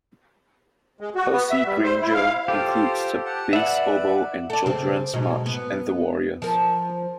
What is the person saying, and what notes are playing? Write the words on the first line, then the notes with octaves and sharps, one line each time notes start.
Percy Grainger includes the bass oboe in Children's March and The Warriors.
G#3
F#4
B3
E5
G3
C5
E4
F5
F4 G4 A4 C5
F#5 A5
B4 D5 E5 F#5
A4 D5
C#3 C4
G#2 B2 F#3
B3
F3 A#4